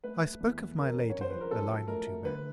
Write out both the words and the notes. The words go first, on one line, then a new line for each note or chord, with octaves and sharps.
I spoke of my lady a line or two back.
A3 B4
A3
E2
E2
C#4 A#4
C#4
C#4 C#5
C5
F3 B4
A#4
C#4 A4
F#3
A3 A#4
A3
D3 B4